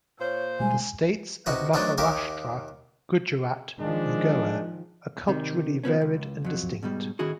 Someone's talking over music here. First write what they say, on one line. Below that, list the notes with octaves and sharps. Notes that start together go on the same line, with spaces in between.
The states of Maharashtra, Gujarat and Goa are culturally varied and distinct.
A#2 C5 C#5
B2 G3 G#3 G#5
C3 D#4 F#4 B4 A#5
F#3 A3 D4 D#4 B4 C5
D#2 D#3 G4 A#4 E5 F5
D#3 F3 G#3 D4
C3 D#3
C#3 F3 B3 C#4
C#2
F2 F#3
G#2 B2 G3
A2 D#3 C#4 E4 F#4 G#4